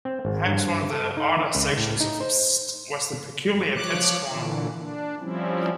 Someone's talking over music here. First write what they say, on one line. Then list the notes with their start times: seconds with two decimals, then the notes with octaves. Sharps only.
Perhaps one of the odder sections of "Pssst" was the "Peculiar Pets Corner".
0.05 C4
0.25 G#1
0.47 G2
0.90 A4
1.17 D#4
1.55 C#2
1.77 A2
2.00 D#4
2.20 C5
3.75 F3 C#5 D6 F#6
4.29 A#2 D3 E3
4.79 D4
5.20 F3 G3 C4 C#4 E4